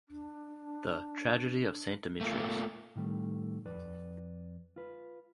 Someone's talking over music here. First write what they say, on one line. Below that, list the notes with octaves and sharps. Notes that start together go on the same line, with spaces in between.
The "Tragedy of Saint Demetrios".
D4
A3 A#3 F4
A2 D#3 G3 A3
F2 B4 D5
F4 B4